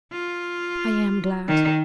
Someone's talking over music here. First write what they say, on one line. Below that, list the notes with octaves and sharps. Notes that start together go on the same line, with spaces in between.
'I am glad.
F4
D#3